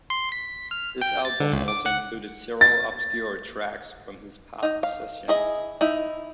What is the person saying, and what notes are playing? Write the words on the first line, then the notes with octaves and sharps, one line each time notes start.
This album also included several obscure tracks from his past sessions.
C6
B6
F6
G5
A6
D3
C#2
D6
F#5
A6
D#4
F5
E4 G#4 D#5
D#4 E4